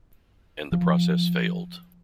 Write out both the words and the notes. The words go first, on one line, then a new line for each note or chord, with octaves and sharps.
And the process failed.
F3